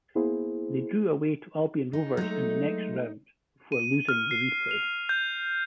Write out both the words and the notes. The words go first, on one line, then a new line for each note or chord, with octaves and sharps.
They drew away to Albion Rovers in the next round, before losing the replay.
A#3 B3 E4 G#4 C5
D#4
F#3 G#3 A3 D#4
D#7
F6
C7
F7
G6